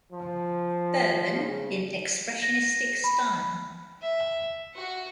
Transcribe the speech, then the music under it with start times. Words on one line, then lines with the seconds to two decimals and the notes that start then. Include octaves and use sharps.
Berben in expressionistic style.
0.12 F3
1.40 C#3
2.42 A#6
3.04 B5
4.01 E5
4.74 F#4 F#5